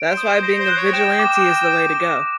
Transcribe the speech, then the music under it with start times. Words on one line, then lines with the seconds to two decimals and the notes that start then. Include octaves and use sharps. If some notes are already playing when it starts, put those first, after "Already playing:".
That's why being a vigilante is the way to go.
Already playing: D7
0.09 C5
0.17 D#6
0.25 C5
0.43 C5 A#6
0.59 C5
0.68 F#6
0.77 C#5
0.94 G5 E7
1.19 D6